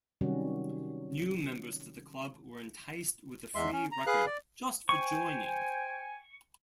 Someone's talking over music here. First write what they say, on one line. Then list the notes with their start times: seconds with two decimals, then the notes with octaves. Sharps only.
New members to the club were enticed with a free record just for joining.
0.21 C3 D#3 F#3 G3 C#4 F#4
3.55 E2 G#3 E5 C6
3.73 C#4
3.92 A#5
4.06 G#4 B4 F5 F#6
4.27 D5
4.89 C5 G5 G#5 C#6